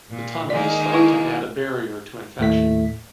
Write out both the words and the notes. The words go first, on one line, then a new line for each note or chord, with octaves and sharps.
The tunnel is thought to add a barrier to infection.
A#2
D#3 G#3 A#3 D5
E4 B4
D#2 A2 A3 B6